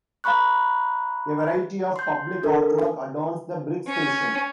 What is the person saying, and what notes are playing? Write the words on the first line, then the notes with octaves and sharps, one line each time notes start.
A variety of public artwork adorns the brick station.
F5 A#5 B5 C#6 F#6
C6 G6
D4 A4 A#4
C#4